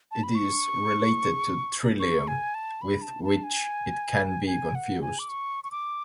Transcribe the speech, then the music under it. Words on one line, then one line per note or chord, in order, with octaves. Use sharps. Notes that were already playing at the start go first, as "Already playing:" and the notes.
It is related to "Trillium", with which it can be confused.
A5
B5
C#6
C#6
G#5
A5
B5
A5
A5
G#5
G#5
F#5
G#5
D6
C#6
C#6
D6